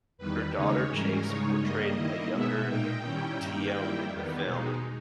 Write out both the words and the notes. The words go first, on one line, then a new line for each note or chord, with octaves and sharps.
Her daughter Chase portrayed a younger Tionne in the film.
E2 D#3 G3 B4
D#2 C#3 G#3 D#4 C#5
G#2 E3 G3 C#4 A#4
C#3 G#3 D#4 C#5
G2 G3 A#3 D#5
D#3 A#3 E4
B2 G#3 B3 E5
A#2 A#3 D#4 G5
D#3 G3 C#4 E4
G2 D#3 A#3
D#3 G3 A#3 E4
E2 D#3 G3 B3
B2 G#3 D#4